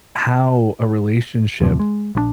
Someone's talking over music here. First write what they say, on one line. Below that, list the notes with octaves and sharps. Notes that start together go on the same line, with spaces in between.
how a relationship
A1 D#2 C3 F3
G#3
A#1 E3 D4